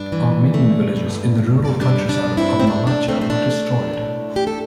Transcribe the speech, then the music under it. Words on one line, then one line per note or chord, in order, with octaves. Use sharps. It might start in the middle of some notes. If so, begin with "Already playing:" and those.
Armenian villages in the rural countryside of Malatya were destroyed.
Already playing: G2 D4
E3
A3
G2
G2
G3 D4
D4
G2
C4 E4
C4
A3 D4
D4
A3 C4
C4
D4
A3
A2
A2 G4
A4